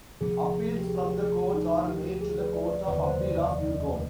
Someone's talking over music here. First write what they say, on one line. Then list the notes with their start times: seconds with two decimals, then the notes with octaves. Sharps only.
Appeals from the court are made to the Court of Appeal of Yukon.
0.21 D2 C3 F3 B3 G#4
0.78 G4
0.87 G#4
1.21 G#4
1.54 D#4
1.88 G4
2.21 G#4
2.38 B4
2.54 D5
2.71 D5
2.88 F1 D#2 D3 F3 B4
3.04 C5
3.20 D5
3.37 D#5
3.55 D5
3.77 D#5